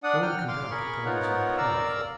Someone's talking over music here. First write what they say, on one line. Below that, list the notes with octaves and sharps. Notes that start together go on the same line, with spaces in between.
'No one can doubt that God is all-powerful.'
D4 D5 F#5 D#6
F#5 G5 F6
F5 C6 D6 F6
G#4 A#4 B5 C#6
B3 D#4 F4 A#4 C#5 F#5
A#4 D5 F5 A#5 E6